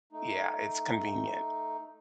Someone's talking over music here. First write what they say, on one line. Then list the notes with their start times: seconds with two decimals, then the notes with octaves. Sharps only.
yeah, it's convenient.
0.13 A3 D#4